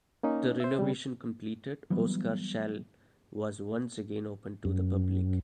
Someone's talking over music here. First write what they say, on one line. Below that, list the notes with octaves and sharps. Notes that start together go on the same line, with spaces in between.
The renovation completed, Oscarshall was once again open to the public.
A#3 C#4 D#4
C5 E5
C#3 G3
E3 F#3 G3 B3
F#2